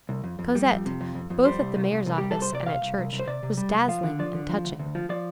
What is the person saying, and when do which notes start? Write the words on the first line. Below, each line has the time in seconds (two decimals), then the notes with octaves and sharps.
Cosette, both at the mayor's office and at church, was dazzling and touching.
0.09 C2
0.24 F2
0.39 F2
0.55 G3
0.70 F2
0.85 C3
1.01 F2
1.15 F2
1.30 F2
1.45 G3 C5
1.60 C2
1.76 C2
1.91 C2
2.06 C2
2.18 G3 G4
2.31 A4
2.36 C2
2.42 C5
2.52 C3 D5
2.66 C3 F5
2.82 C2
2.98 C2
3.13 C2
3.19 C5
3.27 C3 D5
3.43 C3
3.57 G3
3.73 C2
3.88 F3 F5
4.03 D3
4.19 F3 D5
4.35 D3
4.49 F3
4.65 D2
4.79 D2
4.95 F3
5.09 F3 D5